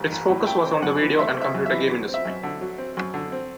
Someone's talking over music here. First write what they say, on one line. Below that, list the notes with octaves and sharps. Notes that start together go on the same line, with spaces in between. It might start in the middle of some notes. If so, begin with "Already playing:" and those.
Its focus was on the video and computer game industry.
Already playing: A1 G3
A1
A2
A3 G5
C4
F#2 F#5
E3
A3 E5
C4
E5
F#2
E5
E3
F#3
C4
E5
F#2
D3
F#3
C4
F#2
D3
C4